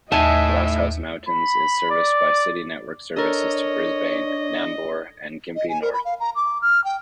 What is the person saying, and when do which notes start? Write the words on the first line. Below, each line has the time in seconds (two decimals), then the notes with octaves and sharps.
Glasshouse Mountains is serviced by City network services to Brisbane, Nambour and Gympie North.
0.12 D#2 A2 D#5 E5 G#5 A5
1.29 B5
1.91 D5
3.17 D4 A4 A#4 C#5 D#5
5.56 D#5
5.69 G#5
5.82 A#4
5.93 B5
6.05 F5
6.20 A#5
6.35 D6
6.62 F6
6.84 G5